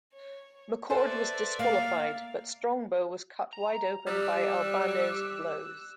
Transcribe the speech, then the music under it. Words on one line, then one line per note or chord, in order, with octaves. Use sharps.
McCord was disqualified, but Strongbow was cut wide open by Albano's blows.
C#5
A4 B4 C5 D5 E5
A#3 F5
A#5
G3 G4 E6 F#6